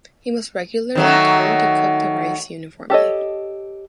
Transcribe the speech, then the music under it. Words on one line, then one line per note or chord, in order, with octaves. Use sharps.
He must regularly turned to cook the rice uniformly.
D#3 F#3 A3
G4 A4 C#5 D#5